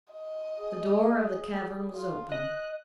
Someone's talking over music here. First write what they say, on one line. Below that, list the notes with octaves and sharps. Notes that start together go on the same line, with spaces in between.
The door of the cavern was open.
D#5
G#4
F4
D#5 F#6